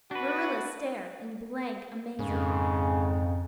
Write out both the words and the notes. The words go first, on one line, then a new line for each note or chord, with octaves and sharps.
Marilla stared in blank amazement.
D4 F#4 B4
F2 G#2 C#3